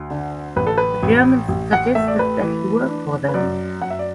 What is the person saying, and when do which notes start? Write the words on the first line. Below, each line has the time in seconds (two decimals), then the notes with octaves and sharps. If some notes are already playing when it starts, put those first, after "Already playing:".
The Germans suggested that he work for them.
Already playing: D2
0.10 D3
0.56 A1 B4
0.67 A4
0.78 B4
1.03 A1
1.48 A1
1.73 F#5
1.95 A3 E5
2.08 D5
2.19 B4
2.42 E3
2.88 D4
3.28 B4
3.34 F#2 D5
3.81 F#2 F#5
3.90 E5
3.99 D5